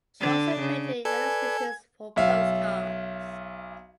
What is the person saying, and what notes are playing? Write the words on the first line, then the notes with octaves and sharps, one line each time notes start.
She also painted illustrations for postcards.
D3 D4
C#3
A4 B4 D5 G#5 G#6
B1 E5 F5